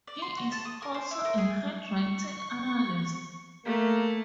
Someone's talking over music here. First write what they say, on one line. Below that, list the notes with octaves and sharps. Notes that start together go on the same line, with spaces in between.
He is also a handwriting analyst.
D5
C6
F#4
A5
D#6
A#4
C5
E4
A#4
G#4
C#6
A3 A#3